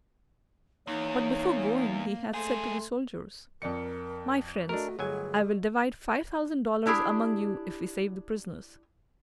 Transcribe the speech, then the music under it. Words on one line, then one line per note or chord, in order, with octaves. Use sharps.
But, before going, he had said to the soldiers, "My friends, I will divide five thousand dollars among you, if we save the prisoners."
E2 A#3 D#4 C#5
F2 A3 G#4 C6
F2 A#4 D5 C#7
A3 D4 F#4 A#4 D#5
G1 F#3 G#4 G#5
D4 E4 G4 G#4